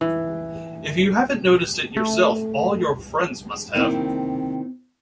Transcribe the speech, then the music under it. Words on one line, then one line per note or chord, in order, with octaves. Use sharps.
If you haven't noticed it yourself all your friends must have.
E3
A3
C3 D#3 A#3 C4 E4